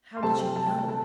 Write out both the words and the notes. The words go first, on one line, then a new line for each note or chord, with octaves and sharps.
"How did you know?"
C6
C3 A3 C4 A5
G5
A5
G5
A5
A3 A5